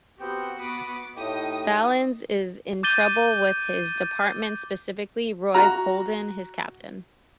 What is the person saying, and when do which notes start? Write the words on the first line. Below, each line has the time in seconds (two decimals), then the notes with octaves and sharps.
Valens is in trouble with his department, specifically Roy Klodin, his captain.
0.20 B3 C4 F#4 G4 G5
0.60 B3 B5 D6 D#6 B6
1.17 A2 D#4 G4 D#6
2.83 D6 G6 A6 D#7 G7
5.54 F#4 A#5 F6